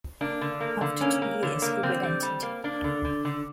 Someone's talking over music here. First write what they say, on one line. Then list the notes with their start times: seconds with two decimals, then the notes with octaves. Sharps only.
After two years, he relented.
0.21 A#3 D4
0.41 D3
0.60 A#3
0.81 D3
1.01 A#3 C#4
1.22 A#3
1.43 D3
1.62 A#3
1.83 D3 C4
2.03 G3
2.22 G3
2.43 A#3
2.64 A#3 D4
2.84 D3
3.05 D3
3.25 D3